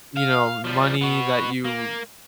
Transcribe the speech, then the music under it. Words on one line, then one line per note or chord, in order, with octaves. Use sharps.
you know, money that you
F5
F3 G3
B3 F#4
A#3